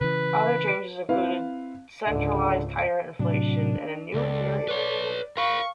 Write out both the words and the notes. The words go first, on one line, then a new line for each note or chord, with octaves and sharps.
Other changes included centralized tire inflation and a new interior.
C#3 E3 B4
C4 E4 B4 F5
C#2 G#2 D3
A2 C3 F#3 D4
C#2 A4 D5
B4 C#5
A#4 F5 B5 C#6